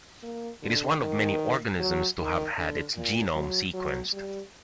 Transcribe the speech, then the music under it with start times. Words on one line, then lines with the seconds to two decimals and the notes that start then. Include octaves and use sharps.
It is one of many organisms to have had its genome sequenced.
0.23 A#3
0.62 D3
1.01 D#3
1.79 F#3
2.18 D#3
2.57 D3
2.95 A#2
3.35 F#3
3.74 F#3
4.13 G3